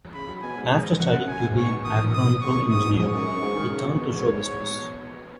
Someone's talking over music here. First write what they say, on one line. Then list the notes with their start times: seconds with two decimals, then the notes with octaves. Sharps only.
After studying to be an agronomical engineer, he turned to show business.
0.14 C#3 B5
0.28 F#3
0.42 B2 G#5
0.57 G#2
0.71 G#2 D#5
1.00 F#2 F#5
1.28 F#2 G#5
1.47 G#2
1.57 C#6
1.66 B2
1.85 D#3 D#6
2.13 B2 D#6
2.42 G#2 C#6
2.56 F#2
2.71 G#2 D#6
2.84 B2
2.99 G#2 C#6
3.14 F#2
3.28 F#2
3.41 G#2
3.56 D#3
3.71 C#3
3.85 B2
3.99 B2
4.13 G#2 C#5
4.42 G#2
4.70 B2